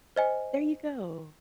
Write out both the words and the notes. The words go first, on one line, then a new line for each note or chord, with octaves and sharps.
There you go.
C5 D#5 G#5